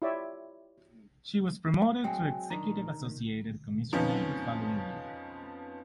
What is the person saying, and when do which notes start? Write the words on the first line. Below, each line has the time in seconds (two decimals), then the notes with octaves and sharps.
She was promoted to executive associate commissioner the following year.
0.02 E4 F4 G4 C#5 D5 E5
2.04 F#3 G#3 C4 G5 G#5
2.50 D#3 D4 A#5
3.92 F2 F3 B3 C#4 D#4